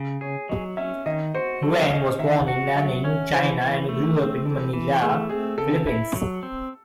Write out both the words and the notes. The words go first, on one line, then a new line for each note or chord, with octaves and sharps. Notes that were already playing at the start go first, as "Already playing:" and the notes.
Huang was born in Nanning, China and grew up in Manila, Philippines.
Already playing: C#3
G#4 C#5
F#3 D#5
C#4 E5
D#3 D#5
F#4 C5
F#3 A4
C#4 D#5
D#3 E5
E5
F#4 F#5
F#3 E5
C#4 C#5
E3 C5
E3
A3
C4
E3 A4
E3
A3 G#4
C4 G#4
C#3 A4
E4
F#3
C4